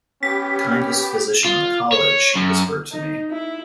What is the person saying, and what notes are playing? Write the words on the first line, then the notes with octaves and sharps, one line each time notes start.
"The kindest physician in the college," she whispered to me.
B3 C#4 G4 B6
F4
C#5
F#2
D#4
E4